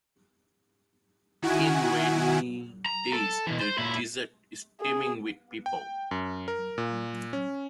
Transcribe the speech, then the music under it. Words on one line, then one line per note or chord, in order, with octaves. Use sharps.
In rainy days the desert is teeming with people.
D#3 E4 F#4 F#5 G#5
A#5
A4
B2 E3
C5
A#2 E4
G#4
G5
F#2
A#4
A#2
C#4